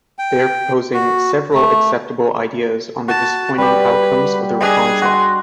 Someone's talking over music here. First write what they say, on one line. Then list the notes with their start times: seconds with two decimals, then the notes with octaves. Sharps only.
They are proposing several acceptable ideas on the disappointing outcomes of the contract.
0.19 G5
0.94 F#4
1.54 A3
3.08 F#4 A5
3.58 G3 G4 B4
4.61 D4 G#4 D#5 G#5
5.02 F#4 C6